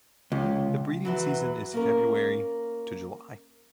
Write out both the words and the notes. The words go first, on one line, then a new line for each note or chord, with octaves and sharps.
The breeding season is February to July.
C#2
E2 E3 F#3
A#3 C#4 A#4